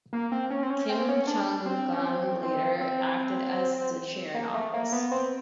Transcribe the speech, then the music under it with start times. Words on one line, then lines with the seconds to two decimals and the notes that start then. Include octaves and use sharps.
Kim Chung Gun later acted as the Chair-in-Office.
0.13 A#3
0.32 C4
0.50 C#4
0.63 C4
0.70 C#4
0.89 C4
1.09 C#4
1.27 D4
1.66 C4
1.93 C#4
2.05 C4
2.43 C4
2.81 C4
4.34 A#3
4.54 A3
4.74 A#3
4.92 B3
5.11 C4